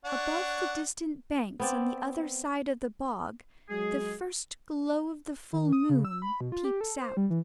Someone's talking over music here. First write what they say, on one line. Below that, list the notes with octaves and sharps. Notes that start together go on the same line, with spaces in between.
Above the distant banks on the other side of the bog, the first glow of the full moon peeps out.
D4 C#5 F#5
B3 C4 D5
F#3 G#3 G#4
D#3
D#6
C#3
E6
B5
B2
F4
G4
A4
C5
G3
E3